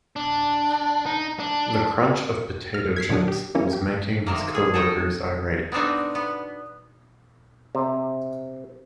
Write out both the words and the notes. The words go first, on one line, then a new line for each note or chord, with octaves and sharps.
The crunch of potato-chips was making his co-workers irate.
D4
D#4
D4
F6
G#6 B6 C7
A#2 D#3 F#3 D4 D#6
G4
E3 G3 A#3 C#4 C#5
G4
C3 D#3 A#3
G#4
A4 C#5 D#5 G5
B3 C4 D4 D#4 F#4
B3
C3